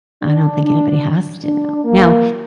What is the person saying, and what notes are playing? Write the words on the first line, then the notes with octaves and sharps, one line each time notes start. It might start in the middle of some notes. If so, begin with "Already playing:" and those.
I don't think anybody has to know. Now,
D4
D4
D4
A#3